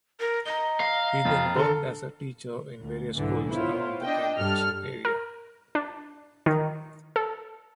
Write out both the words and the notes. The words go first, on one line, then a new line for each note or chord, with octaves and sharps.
He then worked as a teacher in various schools around the Cambridge area.
A#4
D#5 A#5 G7
F5
F2 A#5 F6 A6
D3 A4 A#4
D2
B1 G#2 D3 E3
B3 E4 F4 C5 C#5
D4 D#5 G5
G2 G3 A4 F6
A#4
D4
D#3
A4